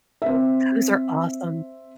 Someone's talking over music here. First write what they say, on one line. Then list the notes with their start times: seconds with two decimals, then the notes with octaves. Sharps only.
Those are awesome.
0.22 C4 E5